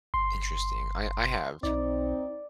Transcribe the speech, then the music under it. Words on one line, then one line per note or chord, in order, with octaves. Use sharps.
Interesting, I I have
G1 C6
B1 C4 D#4 D5